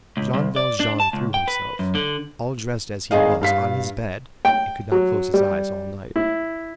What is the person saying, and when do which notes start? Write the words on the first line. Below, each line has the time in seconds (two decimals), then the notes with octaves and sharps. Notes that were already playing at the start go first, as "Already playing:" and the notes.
Jean Valjean threw himself, all dressed as he was, on his bed, and could not close his eyes all night.
0.17 C#2
0.34 C2
0.56 D5
0.80 D4
1.00 A5
1.13 C#2
1.34 G5
1.48 B4
1.79 F#2
1.95 D3
3.11 G#1 G#4 D#5 F5
3.41 G2 F5 B6
4.45 G5
4.92 F#3
5.34 G3
6.16 E4